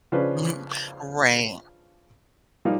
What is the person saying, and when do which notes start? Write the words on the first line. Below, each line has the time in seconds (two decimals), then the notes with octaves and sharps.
Mhm, right.
0.12 C#3 F3 C#4 D4 B4 C5
2.65 F3 G3 A#3 D#4 F4